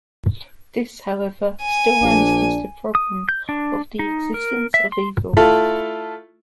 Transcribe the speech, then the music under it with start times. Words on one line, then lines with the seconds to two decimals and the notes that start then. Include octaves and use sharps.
This, however, still runs into the problem of the existence of evil.
1.62 G#5
2.02 A#1 D4
2.95 D#6
3.29 G6
3.49 D4
3.99 D#4
4.34 A#4
4.74 E5
4.92 C6
5.37 A3 E4 F4 A4